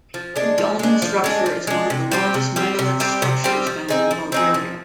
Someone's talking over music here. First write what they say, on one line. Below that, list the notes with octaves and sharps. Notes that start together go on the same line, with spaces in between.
The dolmen structure is one of the largest megalith structures found in Bulgaria.
F3
G#3 D4
F3
G#3 D4
F3
G#3 D4
F3
G#3 D4
C3
G3 C4 G4
C3
G3 C4 G4
C3
G3 C4 G4
C3
G3 C4 G4
F3
C4 D#4 G#4
F3
C4 D#4 G#4
F3